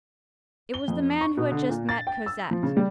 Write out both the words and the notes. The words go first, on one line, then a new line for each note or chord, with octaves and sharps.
It was the man who had just met Cosette.
G7
F2
C#6
B2
D3
A#2
A6
G5
E6
F3
C#3
G3